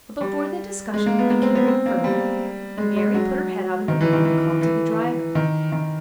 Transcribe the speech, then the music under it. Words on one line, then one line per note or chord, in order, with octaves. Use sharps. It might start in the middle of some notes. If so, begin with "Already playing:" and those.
But before the discussion could be carried farther, Mary put her head out of the window and called to the driver.
G3
G#3
A#3
B3
A#3
C4
B3
C4
A#3
G3
G#3
G#3
F#3
D#3
E3
D#3
E3
E3
D#3
D#3